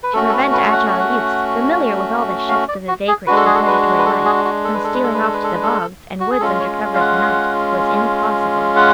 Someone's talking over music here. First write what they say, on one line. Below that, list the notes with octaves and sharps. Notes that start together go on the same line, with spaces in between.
To prevent agile youths, familiar with all the shifts of a vagrant and predatory life, from stealing off to the bogs, and woods under cover of the night, was impossible.
B4
A3 C#4 F#4 A4
A4
B4
B4
F#5
F#5
F5
D5
F#4
G#4
G#3 D4 F#4 B4
A4
G#4
A4
B4
B4
A4
G#4
F#4
A4
B4
A4
B4
A4
B4
A4
B4
A4
B4
A4
F#4
G#4
G#3 C#4 F4 A4
C#5
F5
F#5
F#5